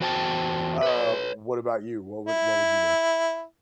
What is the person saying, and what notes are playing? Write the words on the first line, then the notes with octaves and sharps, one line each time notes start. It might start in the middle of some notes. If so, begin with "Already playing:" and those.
Uh, what about you? What would what would you do?
E2 F#4 C5 G5 A5
B4 C#5
E4